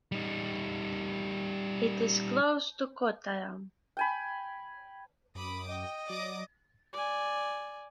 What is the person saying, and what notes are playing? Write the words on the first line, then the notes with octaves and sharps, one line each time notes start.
It is close to Kottayam.
G3 D#4
G5 G#5 B5
F#2 B5 D6 D#6
D#5 G5
F#3 D5 D6 D#6
D5 G#5